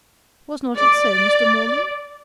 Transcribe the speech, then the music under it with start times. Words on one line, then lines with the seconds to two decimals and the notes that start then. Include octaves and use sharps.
Was not it so, Mr. Morland?
0.77 D5